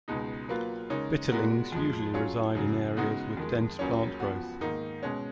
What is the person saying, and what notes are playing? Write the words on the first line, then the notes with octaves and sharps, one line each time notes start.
Bitterlings usually reside in areas with dense plant growth.
C#2 B2 G#3 D#4
F#3 A#3 F4 B4
C#3 G#3 D#4 A#4 C#5
A#2 G#3 B3 F#4 A#4
F2 F3 G#3
F#3 C#4 F4 G#4 C#5
F#2 C#3 F#3
C#3 G#3 B3 D#4 F#4
F2 D#3 G#3
C#2 C#3 F#3 A#3 C#4
F3 B3 F#4
G#2 D#3 A#3 D#4
B2 G#3 C#4